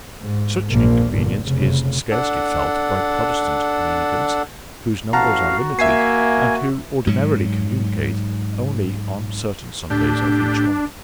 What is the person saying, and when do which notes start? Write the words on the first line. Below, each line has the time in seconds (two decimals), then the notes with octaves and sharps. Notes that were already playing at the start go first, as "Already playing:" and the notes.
Such inconvenience is scarcely felt by Protestant communicants, whose numbers are limited and who ordinarily communicate only on certain Sundays of each month.
0.21 G#2
0.71 A#1 A#3
1.14 G1 A#2
1.46 F1 C#3
2.11 D4 A4 F#5
5.13 A1 F#4 F5 F#5 A5 A#5
5.79 A#3 E5 G#5 C7
7.07 G#2 F#3
9.90 A2 D4 G4